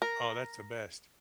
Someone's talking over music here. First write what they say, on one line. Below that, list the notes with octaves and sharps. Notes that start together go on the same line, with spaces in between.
Oh, that's the best.
A#4